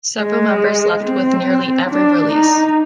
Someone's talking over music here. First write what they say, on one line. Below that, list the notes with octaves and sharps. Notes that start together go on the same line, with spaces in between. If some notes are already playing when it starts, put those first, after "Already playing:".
Several members left with nearly every release.
G#3
C4
D4
D#4